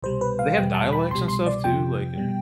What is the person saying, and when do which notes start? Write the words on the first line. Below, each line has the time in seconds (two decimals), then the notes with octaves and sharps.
They have dialects and stuff too, like in
0.03 C2 B2 G3 C5
0.21 B4
0.39 F5
0.57 E2 B2 G3 G5
0.74 A5
0.93 B5
1.11 C2 B2 G3 C6
1.28 C6
1.46 D5
1.64 F2 C3 F3 G5
2.18 B2 G3